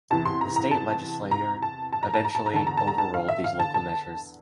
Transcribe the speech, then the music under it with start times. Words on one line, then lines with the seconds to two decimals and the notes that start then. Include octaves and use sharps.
The state legislature eventually overruled these local measures.
0.10 E2 C3 E3 A5
0.25 C6
0.41 A#5
0.56 A#5
0.71 A5
1.31 A#5
1.62 A5
1.93 A5
2.03 A#5
2.14 A5
2.25 A#5
2.35 A5
2.46 A#5
2.53 E2 D3 A5
2.67 A#5
2.77 A5
2.87 A#5
2.98 A5
3.14 F5
3.28 E5
3.44 F5
3.60 A5
3.74 A5